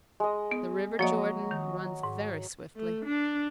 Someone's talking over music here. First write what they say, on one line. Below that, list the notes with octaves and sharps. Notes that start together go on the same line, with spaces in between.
The River Jordan runs very swiftly.
G#3 D#5
B3
F3 F#3 A#3 D5 D#5
D#3
G#2
A3
D4